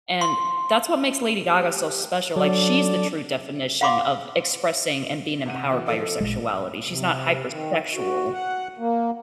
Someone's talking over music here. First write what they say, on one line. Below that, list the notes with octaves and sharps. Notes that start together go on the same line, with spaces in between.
And that's what makes Lady Gaga so special, like, she's the true definition of expressing and being empowered by your sexuality, she's not hypersexual.
C6
G4
F#3 D4 A4 D5
F5 F#5 B5 C6 D6
C3 F#5 D#7
E3 B3 F#4
F3 D#4 A4
A1 A#2 G#3
C3
D#3
F#4
F#5
A#3